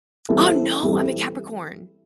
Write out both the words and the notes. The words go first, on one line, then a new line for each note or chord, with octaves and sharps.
Ah, no, I'm a Capricorn.
E3 G3 C4 E4 A4
E3 G3 C4 E4 A4